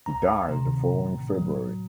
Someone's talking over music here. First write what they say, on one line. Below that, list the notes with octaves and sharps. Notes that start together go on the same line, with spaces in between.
He died the following February.
D2 A#5
C3 D#3
A2
F#3